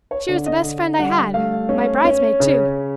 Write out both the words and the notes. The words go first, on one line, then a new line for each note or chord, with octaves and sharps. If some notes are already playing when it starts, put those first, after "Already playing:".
She was the best friend I had,--my bridesmaid, too.
C#5
D3 D5
D#5
D3
G3 F#5
A3 F5
C#4
C#4
C#3